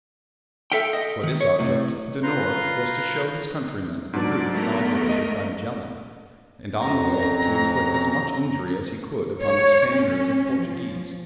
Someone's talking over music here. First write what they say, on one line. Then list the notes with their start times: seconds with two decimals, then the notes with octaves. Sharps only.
For this object, De Noort was to show his countrymen the route inaugurated by Magellan, and on the way to inflict as much injury as he could upon the Spaniards and Portuguese.
0.72 A4 E5 F5 G5
0.93 D#5
1.23 D#3
1.41 C#5
1.59 A2 C3
2.23 F4 B4 A#5 C6 G6
4.13 G#2 F#3 D4 D5
4.53 A3 B3 A#4
5.09 D#5
6.79 F2 C#4 A#5
9.42 C#5
9.93 C#4
10.60 F3